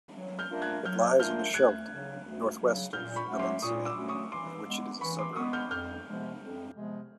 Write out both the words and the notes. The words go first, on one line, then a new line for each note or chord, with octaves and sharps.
It lies on the Scheldt, northwest of Valenciennes, of which it is a suburb.
F#3
F6 G6
A3 D4 F4 A#4
F#6 G#6
F#3 F6 G6
A3 D4 F4 A#4 F6 G6
D2 F#6 G#6
C#3 F#3
D2
C#3 F#3
A#2 F6 G6
B5 C#6
F#3 A3 C#4 F#4
C6 D6
A#2 C#6 D#6
D6 E6
F#3 A3 C#4 F#4
C#6 D#6
E3 C6 D6
G#3 B3
E3 B5 C#6
C6 D6
G#3 B3 C#6 D#6
F6 G6
F2 F6 G6
C3 F3 G#3 B3
F2
C3 F3 G#3 B3